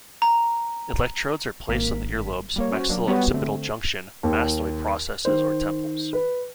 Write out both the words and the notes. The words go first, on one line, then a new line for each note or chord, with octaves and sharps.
Electrodes are placed on the ear lobes, maxilla-occipital junction, mastoid processes or temples.
A#5
G#1 A#3 A#4 B6
G3 A#3 C#5
C#4 F#4 C5 C#5
F#3 A#3 D4
G3 B3 F#4 G4 C#5
D3 A3 C4
D#2
D#3 C5
B4